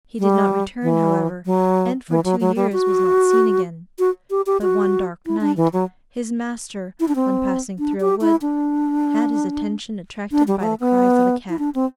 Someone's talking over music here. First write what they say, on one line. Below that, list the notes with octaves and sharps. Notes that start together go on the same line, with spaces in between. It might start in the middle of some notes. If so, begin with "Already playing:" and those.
He did not return, however, and for two years was not seen again; but one dark night, his master, on passing through a wood, had his attention attracted by the cries of a cat.
G3
E3
F#3
E3
F#3
F#3
G3
F#4
F#4
G4
G4
F#4
E4
D4
E3
F#3
E4
D4
C4
D4
G4
E4
D4
D4
G3
G3
A3
B3
E4
D4
C4